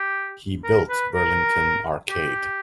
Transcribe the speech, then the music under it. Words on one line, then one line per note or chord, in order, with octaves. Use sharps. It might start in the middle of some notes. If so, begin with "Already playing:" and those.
He built Burlington Arcade.
Already playing: G4
A#4
B4
A#4
G4